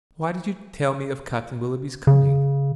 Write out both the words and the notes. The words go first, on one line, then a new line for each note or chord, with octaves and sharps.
Why did you tell me of Captain Willoughby's coming?
C#3